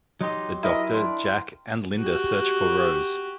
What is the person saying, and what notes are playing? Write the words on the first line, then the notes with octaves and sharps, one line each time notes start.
The Doctor, Jack, and Lynda search for Rose.
F#3 D#4 G4 D#5 C6 C#6
E4 A#4 D#5
D4 G5 C6
F#4 G4